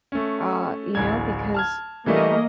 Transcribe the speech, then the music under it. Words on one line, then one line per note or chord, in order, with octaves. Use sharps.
uh, you know, because eh
A3 C#4
D1 A1 G#6
A5 F6 G#6
E3 G3 A3 A#3 D#5